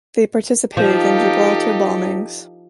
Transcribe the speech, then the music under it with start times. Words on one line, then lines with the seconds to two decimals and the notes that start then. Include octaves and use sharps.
They participated in Gibraltar bombings.
0.77 F3 D#4 G4 A4